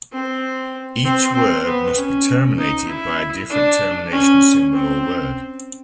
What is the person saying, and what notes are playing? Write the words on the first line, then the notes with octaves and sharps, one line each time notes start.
Each word must be terminated by a different termination symbol or word.
C4
C4
C4
B3
C#4
D#4
E4
D4
C#4
C4